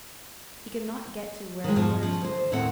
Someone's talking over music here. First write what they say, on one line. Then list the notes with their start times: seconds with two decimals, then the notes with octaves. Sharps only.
He could not get to where the birds were.
1.64 D#3 G#3
1.76 F2 G#2 B2 F3
2.03 F3 C#4
2.22 D2 C5
2.52 D#2 A2 C4 A4 F#5 G5